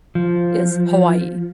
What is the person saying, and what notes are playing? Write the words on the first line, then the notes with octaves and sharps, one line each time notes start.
is Hawaii,
F3